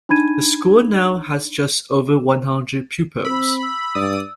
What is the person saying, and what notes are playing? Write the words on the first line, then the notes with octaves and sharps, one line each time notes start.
The school now has just over one hundred pupils.
D4 D#4 B5 G#6 D#7
C4 B5 E6
E6
G2 D5 D#6